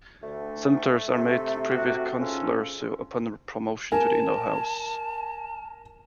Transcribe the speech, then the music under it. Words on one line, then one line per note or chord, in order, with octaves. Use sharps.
Senators are made Privy Counsellors upon promotion to the Inner House.
D2 A3
C3
C3 F#4
G#2 C#4 F4 A4
A#4 G#5 A5